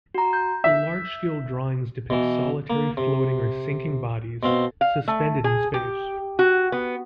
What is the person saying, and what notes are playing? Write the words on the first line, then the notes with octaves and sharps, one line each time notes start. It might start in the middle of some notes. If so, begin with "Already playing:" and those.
The large-scale drawings depict solitary floating or sinking bodies, suspended in space.
F#4 A#5
G6
E5
B2 E3
A#3
C3
B2 C4 F5
F5
A3
G#4
G4
F#4
B3